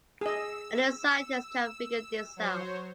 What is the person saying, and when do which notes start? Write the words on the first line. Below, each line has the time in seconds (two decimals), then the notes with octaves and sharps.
Only a scientist can figure this out.
0.21 G#4 D#5 E6
2.36 F#3 C5 C#5